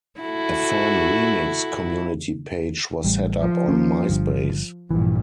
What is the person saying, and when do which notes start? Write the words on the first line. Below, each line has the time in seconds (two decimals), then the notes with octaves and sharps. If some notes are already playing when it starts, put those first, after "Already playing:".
A fan remix community page was set up on MySpace.
0.20 E4 F#4 A4
3.05 A1 G3
3.40 F3
3.68 A#3 C4 C#4
4.09 G1 G2
4.91 A#1 G2 E3